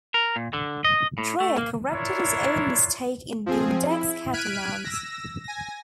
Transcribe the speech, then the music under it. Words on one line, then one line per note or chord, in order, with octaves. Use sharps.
Dreyer corrected his own mistake in the Index Catalogues.
A#4
A#2
D3
D#5
A2
A3
A#3
D4 E4 F4 A#4 C#5
F3 C4 G#4
E4
F6 F#6 G#6 B6 D7 D#7
E6 A#6
G#5 A#6